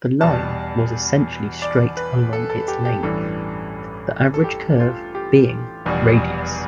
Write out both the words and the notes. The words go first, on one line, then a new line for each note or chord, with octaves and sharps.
The line was essentially straight along its length, the average curve being radius.
E2 B2 G3 A5
D5
B4
A4
A4
G4
G4
A1 G2 E3 G3 A4
A4
G4
F4
G4
F1 E2 B2 G3